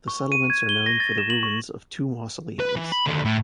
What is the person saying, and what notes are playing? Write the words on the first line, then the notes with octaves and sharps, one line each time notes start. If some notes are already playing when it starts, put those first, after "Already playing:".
The settlements are known for the ruins of two mausoleums.
C#6
D#7
G#6
G7
A#6
A6
E7
F#7
C#6
B4
E3
B5
D#2 D3
A2